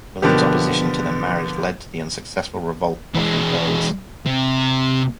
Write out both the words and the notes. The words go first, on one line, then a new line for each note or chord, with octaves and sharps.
William's opposition to their marriage led to the unsuccessful Revolt of the Earls.
B2 D3 F3 A#3 B3 G4
E3 G#3
C3